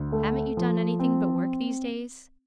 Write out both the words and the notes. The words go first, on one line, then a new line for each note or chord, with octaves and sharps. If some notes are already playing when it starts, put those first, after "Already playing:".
'Haven't you done anything but work these days?'
Already playing: D2
A3
F3
C4